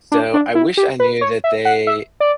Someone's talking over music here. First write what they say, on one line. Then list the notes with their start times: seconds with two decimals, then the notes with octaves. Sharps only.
So, I wish I knew that they
0.12 D4
0.34 D4
0.55 E4
0.77 G4
1.00 B4
1.21 C#5
1.44 E5
1.65 F#5
1.87 E5
2.20 D5